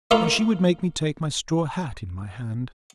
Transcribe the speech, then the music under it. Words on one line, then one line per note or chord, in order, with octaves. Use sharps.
And she would make me take my straw hat in my hand.
A3 A#3 E4 F4 A#4 F5